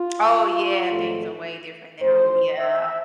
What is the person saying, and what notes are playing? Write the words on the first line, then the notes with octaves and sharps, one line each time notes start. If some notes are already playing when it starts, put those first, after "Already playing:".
Oh, yeah, things are way different now, yeah.
Already playing: F4
G#1 G#2 F3 A3
A1 A2 F3 A3 C5
E5